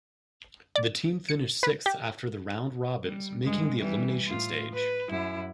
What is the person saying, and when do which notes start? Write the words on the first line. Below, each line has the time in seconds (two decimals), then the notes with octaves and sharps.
The team finished sixth after the round robins, making the elimination stage.
0.76 D5
1.29 C#7
1.63 B4
1.86 G4
3.04 G3
3.43 G2 G#3
3.78 E3 G3
4.24 A2 F4
4.73 B4
5.09 F#2 E4